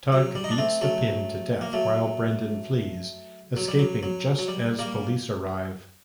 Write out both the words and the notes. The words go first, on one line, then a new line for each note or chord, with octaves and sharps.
Tug beats The Pin to death while Brendan flees, escaping just as police arrive.
F#3
G3
D#4
D4
A3 C4
F#3 A3
A#3
F#3 A3
F#3
G3
F#3
F#3
F#3
G3
G3 A#3